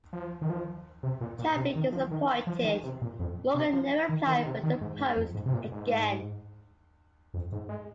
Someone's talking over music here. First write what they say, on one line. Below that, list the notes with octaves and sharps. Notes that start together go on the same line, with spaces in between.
Terribly disappointed, Morgan never applied for the post again.
F3
D#3
F3
C3
A#2
A#2
C3
D#3
F3
D#3
F3
D#3
C3
A#2
F2
C3
F3
D#3
D#3
D#3
C3
D#3
G#2
G#2
F2
G#2
C3
A#2
G#2
F2
G#2
G#3